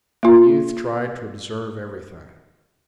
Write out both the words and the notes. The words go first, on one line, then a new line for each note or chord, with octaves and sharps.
The youth tried to observe everything.
A#3 F4